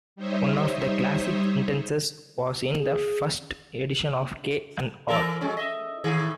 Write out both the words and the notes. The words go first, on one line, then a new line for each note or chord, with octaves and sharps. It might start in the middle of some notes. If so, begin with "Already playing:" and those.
One of the classic instances was in the First Edition of K and R.
G3 D#4 C5 C#5 D#5 E5
G#4
E3 A4 A#4
F2 G#3 C#4
D#5 E5
A2 D#3 G#4